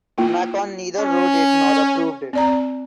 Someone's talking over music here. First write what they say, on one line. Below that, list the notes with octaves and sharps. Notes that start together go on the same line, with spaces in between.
Macon neither wrote it nor approved it.
A#3 E4 F4
C#4
C4 D5 A#5